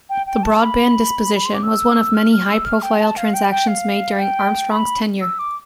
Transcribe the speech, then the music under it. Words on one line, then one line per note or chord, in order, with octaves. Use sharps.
The broadband disposition was one of many high-profile transactions made during Armstrong's tenure.
G5
G5
A5
B5
B5
C6
D6
E6
F6
F6
E6
F6
G5
A5
F5
G5
G5
F5
G5
B5
E6
D6